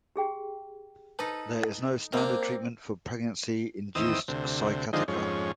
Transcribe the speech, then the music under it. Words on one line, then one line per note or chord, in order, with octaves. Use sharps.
There is no standard treatment for pregnancy-induced sciatica.
G4 G#4 G5
D#4 A4 B4 A5
A#3 C4 D4
E2 D#3 C4 D#6 E6
D2 C3
D3 D#3 F3 G#3 C4 D#4
F2 G#2 C#4